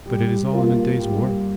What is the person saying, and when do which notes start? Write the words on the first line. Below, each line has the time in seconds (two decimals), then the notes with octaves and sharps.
But it is all in the day's work.
0.06 G3
0.52 A#3 F4 A#4
0.99 G3